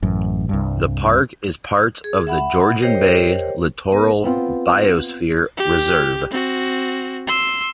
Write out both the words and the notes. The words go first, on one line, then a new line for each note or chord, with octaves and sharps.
The park is part of the Georgian Bay Littoral Biosphere Reserve.
A1 F#2
C2 G2
G#4
E5 F#5 B5
G4 A#4 C5 C#5 D#5 G5
B3 A#4
B3 C4 F4
G4
C4 F#4
C6 E6